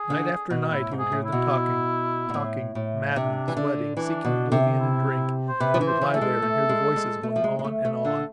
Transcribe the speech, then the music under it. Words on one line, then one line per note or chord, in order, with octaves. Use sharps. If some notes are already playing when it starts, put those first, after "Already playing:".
Night after night he would hear them talking; talking; maddened, sweating, seeking oblivion in drink, he would lie there and hear the voices going on and on.
Already playing: G#4
D3
B2
A2 E4
G#2
G#4
A2
E4
B2
B2
A2
A2
C3 D4
E3
D3
E3 D4
B2
C3
E4
C5
C3 B4
F3
E3
C5
E3
A3 A4
G#3
A3
G#3
G#3
A3
F3
G#3
G#3
A3
A3
D3 A4